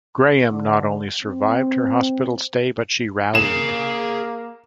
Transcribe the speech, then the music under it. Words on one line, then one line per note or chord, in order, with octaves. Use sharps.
Graham not only survived her hospital stay, but she rallied.
D3
C4
A#3 G#4 F5 E7